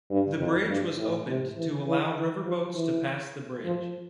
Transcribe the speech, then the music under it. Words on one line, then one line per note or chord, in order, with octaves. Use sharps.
The bridge was opened to allow riverboats to pass the bridge.
G2
F2
G2
A2
C3
E3
E3
E3
F3
E3
F3